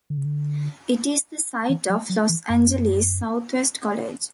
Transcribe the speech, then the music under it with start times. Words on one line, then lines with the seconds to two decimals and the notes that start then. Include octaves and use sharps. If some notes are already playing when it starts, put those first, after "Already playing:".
It is the site of Los Angeles Southwest College.
0.10 D3
0.17 C#3
0.25 D3
1.69 E3
1.90 F#3
2.10 F#3
2.29 E3
2.50 F#2